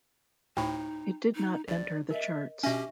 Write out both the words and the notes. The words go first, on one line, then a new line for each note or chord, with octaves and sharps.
It did not enter the charts.
D2 A2 D#4 G5 B5 C#6
D#4
A#1 D5
A#4 D#5 E5
B2 C#4 D4 G4 E5 C#6